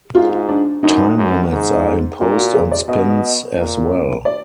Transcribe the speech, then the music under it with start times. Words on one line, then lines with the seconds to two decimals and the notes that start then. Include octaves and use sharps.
Time limits are imposed on spins as well.
0.15 G#2 F4
0.49 D4
0.83 F#2 D#4
1.17 F#2
1.52 G#2
2.20 A#2 F4
2.36 F#4
2.54 G#4
2.71 D5
2.88 B2 D#5
3.57 A#2
4.25 D5